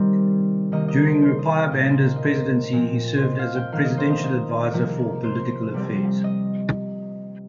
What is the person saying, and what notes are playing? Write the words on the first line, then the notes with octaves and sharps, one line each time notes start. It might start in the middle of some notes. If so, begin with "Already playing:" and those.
During Rupiah Banda's presidency, he served as a Presidential Advisor for Political Affairs.
Already playing: C3 D#3 G3 C4 C5
C3 D#3 A#3 D#5
D#5
C5
C5
D#5
F5
A#2 A#3 D#5
C5
A#4
D#5
C5
A#2 F3 C4
C5
D#5
F5
G5
D#3 A#3 F5
D#5
C5
D#5
D#5
C3 F3 A#3
C5
C3 G3 C4
D#5